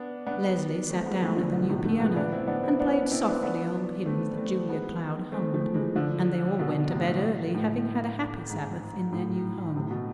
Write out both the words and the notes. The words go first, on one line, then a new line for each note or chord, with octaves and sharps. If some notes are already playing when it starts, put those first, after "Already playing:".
Leslie sat down at the new piano, and played softly old hymns that Julia Cloud hummed; and they all went to bed early, having had a happy Sabbath in their new home.
Already playing: B3 D4
B3 D4
A3 C4
G#3 B3
F3 A3
D3 F3
B2 D3
A2 C3
F3 A3
G#3 B3
B3 D4
C4 E4
B3 D4
C4 E4
B3 D4
C4 E4
B3 D4
B3 D4
A3 C4
A3 C4
G#3 B3
A3 C4
F3 A3
E3 G#3
D3 F3
B2 D3
A2 C3
A2
G#2
A2
A2 C3
B2